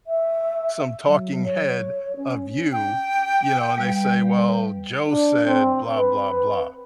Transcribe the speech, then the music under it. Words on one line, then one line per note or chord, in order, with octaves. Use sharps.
some talking head of you, you know, and they say, "Well, Joe said, 'Blah, blah, blah.'"
E5
F#3
C#5
C#4
G5
G3 B4 F5
D4
C4
B4